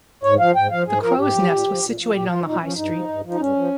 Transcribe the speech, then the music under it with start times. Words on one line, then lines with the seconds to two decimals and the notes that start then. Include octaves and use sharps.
The Crows Nest was situated on the High Street.
0.23 G#2 C#5
0.39 F3 F5
0.56 G#2 G5
0.71 F3 F5
0.86 G#2 G#4
1.02 F3 A#4
1.18 G#2 G4
1.35 F3
1.50 A#2
1.67 F3
1.83 A#2
1.98 F3
2.13 A#2 G4
2.29 F3 F4
2.45 A#2 D#4
2.61 F3 C#4
2.77 G2 D#4
2.92 F3
3.08 G2
3.24 F3
3.31 D#4
3.40 G2 C#4
3.56 F3